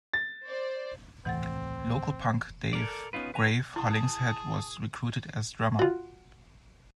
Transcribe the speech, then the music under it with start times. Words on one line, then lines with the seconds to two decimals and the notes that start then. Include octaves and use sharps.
Local punk Dave 'Grave' Hollingshead was recruited as drummer.
0.13 A6
0.46 C5 D5
1.25 D#1 C2 A2 E3 C4 F#5 A6
2.73 A4 A#4 D5
3.13 B3 C#4 D#4 F4 B4
3.34 B4 G#5 A#5
3.76 E4 G#4 A5
5.79 F4 F#4